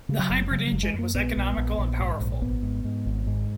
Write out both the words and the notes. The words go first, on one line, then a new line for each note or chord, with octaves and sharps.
The hybrid engine was economical and powerful.
C#3
F#3
F#1
C#3 F#3
F#3
F#1
G#3
F#2 A#3
A#1 B3
A#1
A#1
A#1
G#2
A#1
G#1 B3
G#2
G#2
G#1
G#2